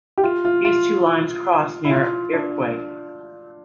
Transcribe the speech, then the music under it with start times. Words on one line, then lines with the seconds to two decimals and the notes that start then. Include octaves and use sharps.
These two lines cross near Iroquois.
0.18 G4
0.24 F4
0.45 F4
0.65 F4
1.85 E4
1.91 F4
2.33 D4